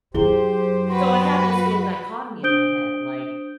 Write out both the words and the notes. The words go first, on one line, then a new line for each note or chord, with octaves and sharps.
So, I have this little dichotomy in my head like,
F#2 F#3 E4 G4 G#4 C5 G7
F#4 B4 C6
D4 C5 D#6 G6 D7 G7